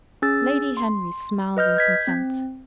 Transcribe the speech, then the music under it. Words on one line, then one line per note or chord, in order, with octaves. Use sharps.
Lady Henry smiled in contempt.
C#4 G#4 E6 A6
C6
B4 D#5 F6 G6
G6 G#6 B6
C4